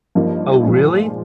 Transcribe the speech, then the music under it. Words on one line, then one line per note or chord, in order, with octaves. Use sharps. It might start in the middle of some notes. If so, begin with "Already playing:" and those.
Oh, really?
G2 F3 A#3 D#4
A#2 F3 G#3